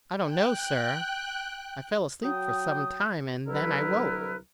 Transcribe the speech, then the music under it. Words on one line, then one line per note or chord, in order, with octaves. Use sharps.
"I don't know, sir; I fell asleep for some time, and then I woke! . . ."
G5 F#6
F#3 G5 D#6
C2 D3 F#3 E4 A#4 B4